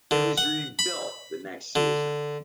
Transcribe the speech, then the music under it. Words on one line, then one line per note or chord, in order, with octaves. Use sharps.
It was rebuilt the next season.
D3
F#5
B5
D3